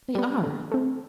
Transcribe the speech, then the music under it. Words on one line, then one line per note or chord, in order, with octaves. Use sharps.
They are.
G3 B3
D3
A3 C4